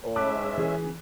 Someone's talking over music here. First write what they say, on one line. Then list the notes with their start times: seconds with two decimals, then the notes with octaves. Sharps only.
Or y
0.16 G#3 C#4 E5 A5 D6 F#6
0.58 E3 G#4